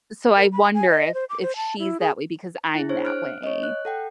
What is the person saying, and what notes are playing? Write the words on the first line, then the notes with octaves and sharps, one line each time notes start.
So I wonder if if she's that way because I'm that way.
A#4
B5
G#5
D#5
C5
D6
C5
A5
E4
G#4
E4 G#4
D4 C5 C#5
F6 F#6 D7
C#5 D#5
F#6
A4 F#5 G5